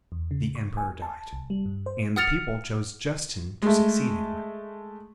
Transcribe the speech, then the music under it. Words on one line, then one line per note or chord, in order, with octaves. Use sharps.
The emperor died; and the people chose Justin to succeed him.
E2
C#3
C#6
G#5
A5
C2
G3
G2
C5
F#5 D#6 F6 A6 C#7 F7
G#3 A3